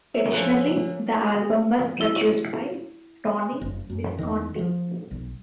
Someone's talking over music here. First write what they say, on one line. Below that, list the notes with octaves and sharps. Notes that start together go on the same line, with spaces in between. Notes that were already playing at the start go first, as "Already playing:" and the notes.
Additionally, the album was produced by Tony Visconti.
E5
F3 A#3 C#4 A4 C5 F#6
E4
F#1
F#2
E2 D#3
F3
B1